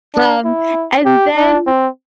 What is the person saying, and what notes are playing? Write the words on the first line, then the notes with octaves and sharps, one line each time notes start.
Um, and then
D4
E4
G4
D4
C4